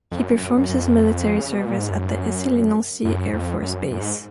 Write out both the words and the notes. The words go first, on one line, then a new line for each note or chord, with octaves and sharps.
He performs his military service at the Essey lès Nancy Air Force Base.
F2
F#2
F#2
F#2
F#2
F2
C#3
B2
A#2
G#2
F#2
F#2
F2
F#2
F#2
G#2